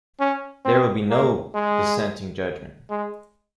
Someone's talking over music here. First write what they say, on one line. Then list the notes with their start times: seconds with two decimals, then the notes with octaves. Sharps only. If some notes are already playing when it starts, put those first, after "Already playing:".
There will be no dissenting judgment.
0.20 C#4
0.65 C4
1.10 A#3
1.55 G#3
2.90 G#3